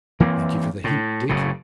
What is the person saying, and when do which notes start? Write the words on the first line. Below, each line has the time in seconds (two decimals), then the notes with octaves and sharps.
Thank you for the hint, Dick.'
0.20 E3 A#3 C4
0.84 A2
1.29 F#1 A2 C#3